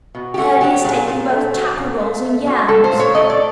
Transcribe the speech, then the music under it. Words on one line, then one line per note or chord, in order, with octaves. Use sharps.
'Curly is taking both tappa rolls and yams.'
B2
G4
A3 F#4
F#3 G4
A#2 G#4
A#2
A3
F#3
A#2
A#2
A3
F#3
A#2 A4
C5
A#2
C#5
A3 D#5
D5